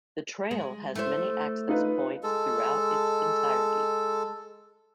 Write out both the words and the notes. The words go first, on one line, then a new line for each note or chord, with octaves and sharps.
The trail has many access points throughout its entirety.
G#3
A3 E4 C5
D#4 F4 B4
G#3 A4